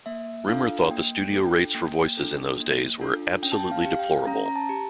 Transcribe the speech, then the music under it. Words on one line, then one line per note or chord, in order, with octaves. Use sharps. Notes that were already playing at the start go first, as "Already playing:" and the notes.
Rimmer thought the studio rates for voices in those days were "absolutely deplorable".
A#3 E5
D4 F4 A4 F5
A#3 G5
G5
D4 F4 A4
G5
A#3 G5
D4 F4 A4
A#3
D4 F4 A4
C#4 G5
A5
G5
F5
G4
F5
G5
C#4 A#5
A#5
A5
G4